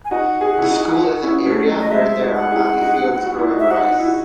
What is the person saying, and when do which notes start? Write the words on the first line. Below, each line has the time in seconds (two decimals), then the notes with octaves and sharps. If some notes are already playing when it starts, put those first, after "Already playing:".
The school is an area where there are paddy fields growing rice.
0.05 G#5
0.11 D#4 F#4 F#5
0.41 G#4
0.58 E4 G#4
0.71 D#4 F#4
1.23 C#4 E4
1.46 A3 C#4
1.68 F#3 A3
1.80 D#5
1.85 F#3
1.91 G#3 E5
2.21 D#4 F#4
2.36 F#5
2.51 E4 G#4
2.81 D#4 F#4
3.26 F#4
3.38 E4
3.51 D#4 F#4
3.59 E5
3.71 D#4 F#4 F#5
3.91 D#4
3.99 E4
4.07 F#4